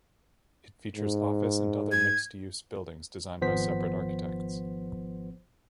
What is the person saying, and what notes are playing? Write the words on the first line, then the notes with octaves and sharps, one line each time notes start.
It features office and other mixed-use buildings designed by separate architects.
G#2
G#6
G#1 F3 B3 C5 B6